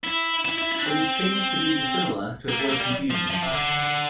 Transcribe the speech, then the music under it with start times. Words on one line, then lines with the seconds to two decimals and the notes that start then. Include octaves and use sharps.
It was changed to be dissimilar to avoid confusion.
0.04 E4
0.45 E4
0.58 E4
0.72 E4
0.79 D4
0.86 C4
2.49 A#3
2.59 A3
2.70 A#3
2.80 G3
3.11 F3
3.31 F3
3.43 C3
3.51 D3